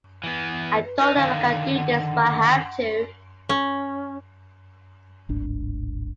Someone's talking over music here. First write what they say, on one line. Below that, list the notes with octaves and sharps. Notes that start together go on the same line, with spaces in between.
I don't know if I can do this, but I have to.
E3 B3
B4
D#4 B4
D3 D#3 F5
F#5
C#4
D1 G#1 D4